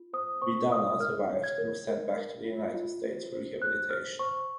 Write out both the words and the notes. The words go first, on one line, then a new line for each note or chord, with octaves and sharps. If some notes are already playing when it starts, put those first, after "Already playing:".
Vidana survived and was sent back to the United States for rehabilitation.
Already playing: F4
C5 D#6
C5 C#6
F4 D#6
A#4 F6
C#5
G#6
A#4
A#4
A#4
F4
F4
C5
C5
C5 F#6
C5 F6
C5 C#6